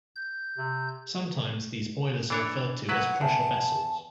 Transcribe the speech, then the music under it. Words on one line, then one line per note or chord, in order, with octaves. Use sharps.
Sometimes these boilers are referred to as pressure vessels.
G6
C3
E3 D4 C#5
F#3 E4 B4 F#5
E2 A5